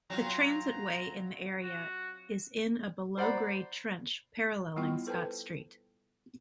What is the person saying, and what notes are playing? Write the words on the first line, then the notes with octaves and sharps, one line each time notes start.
The transitway in the area is in a below-grade 'trench' parallelling Scott Street.
F#3 C4 F4 A#5
A#5
F#4
C5 D5 F#5 A#5 B5
G3 B3 E4 F4 G5 C#6
A4 B4 C5 G5 A5